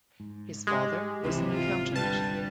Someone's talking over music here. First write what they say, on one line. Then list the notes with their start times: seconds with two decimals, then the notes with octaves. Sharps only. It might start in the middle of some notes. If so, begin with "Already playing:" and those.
His father was an accountant.
0.20 G#2
0.67 G#3 G4
1.24 G#1 C#2 C3 E3
1.54 F4
1.96 D3 G3 B4 A5